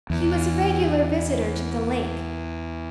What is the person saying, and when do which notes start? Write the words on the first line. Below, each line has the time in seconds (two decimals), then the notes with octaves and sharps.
He was a regular visitor to the lake.
0.10 E2